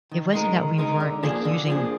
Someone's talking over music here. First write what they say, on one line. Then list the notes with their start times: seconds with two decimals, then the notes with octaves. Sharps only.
it wasn't that we weren't, like, using
0.12 D#3
0.34 G#3 D#4 A#4
0.56 D#3
0.78 G#3 D#4 A#4
1.00 D3
1.23 F3 A#3 D4 G#4
1.45 D3
1.67 F3 A#3 D4 G#4